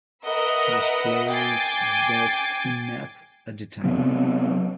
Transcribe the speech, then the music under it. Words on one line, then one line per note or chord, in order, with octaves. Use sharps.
She was placed Best in Math at the time.
A#4 B4 D#5 E5 F#5 B5
G5 G#5 D6 A6 C7
C3 F#3 B3 C4